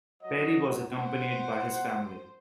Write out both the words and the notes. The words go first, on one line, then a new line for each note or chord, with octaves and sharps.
Perry was accompanied by his family.
F#3 D#5
C5 F#5